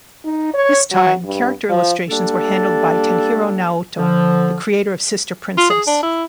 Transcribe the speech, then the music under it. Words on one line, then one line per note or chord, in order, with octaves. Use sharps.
This time, character illustrations were handled by Tenhiro Naoto, the creator of "Sister Princess".
D#4
C#5
F#3
G2
F3
G3 A#3 D4 A4
D3 F3
F4
G#4
D4
E4